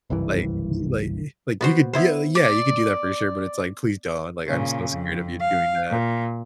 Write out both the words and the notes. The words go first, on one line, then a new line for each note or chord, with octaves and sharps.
Like like like, "You could ye yeah, you could do that for sure," but it's like, "Please don't. Like, I'm so scared of you doing that."
F#1 C2 G2 E3
B3 F#4 C5
B3 E4 C5
D5
A#2 C#3
F2
F5
A#2